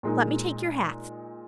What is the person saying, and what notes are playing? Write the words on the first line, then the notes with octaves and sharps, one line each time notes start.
Let me take your hats.
A#2 G#3 D#4